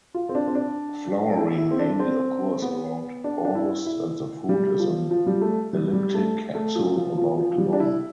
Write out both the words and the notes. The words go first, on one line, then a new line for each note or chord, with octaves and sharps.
Flowering mainly occurs around August and the fruit is an elliptic capsule about long.
F4
C4
D4
C4
D4
D4
E4
E4
C4
D4
C4
B3
D4
D4
E4
E4
G3
F3
F3
G3
A3
G3
G3
A3
A3
F3
F3
F3
F3
F3
G3
D4
E4